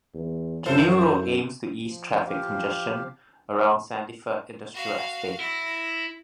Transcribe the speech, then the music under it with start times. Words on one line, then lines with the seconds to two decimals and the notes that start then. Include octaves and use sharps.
The new road aims to ease traffic congestion around Sandyford Industrial Estate.
0.15 E2
0.66 F#2 E4 A4 C5
1.87 F3
2.27 F3 G4 F5
4.74 F#4 F5
5.40 E4 A#6